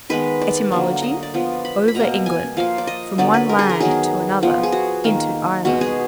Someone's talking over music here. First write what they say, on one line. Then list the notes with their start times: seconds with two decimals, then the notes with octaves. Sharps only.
Etymology: over England; from one land to another; into Ireland.
0.10 D#3 G#3 B3 B4
0.42 D5
0.72 D3 F#3 A#3
1.03 D#5
1.23 D5
1.34 F3 B3
1.65 B5
1.88 B5
1.95 B2 A#3 A#5
2.26 G#5
2.57 F3 A#3 F5
2.78 D5
2.87 D#5
3.18 D3 F#3 B3 D5
3.34 B4
3.49 A#4
3.59 G#4
3.69 A#4
3.80 D#3 F#3 B3 G#4
4.43 F3 B3
4.63 G#4
4.72 F#4
5.04 D#3 A#3
5.65 B2 G#3 B3 F#4
5.81 G#4